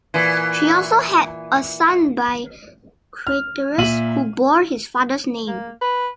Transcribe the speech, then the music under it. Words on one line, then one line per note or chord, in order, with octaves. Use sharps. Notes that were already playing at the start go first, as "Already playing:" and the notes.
She also had a son by Craterus, who bore his father's name.
A#2 E3
F6
A#2 E5 D#7 F#7
A#3
B4